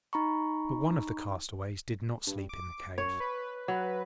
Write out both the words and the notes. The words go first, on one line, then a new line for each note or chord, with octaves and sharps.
But one of the castaways did not sleep in the cave.
D#4 A#5 B5 C#6
G2
D6
F#2 C#5
B4
F#3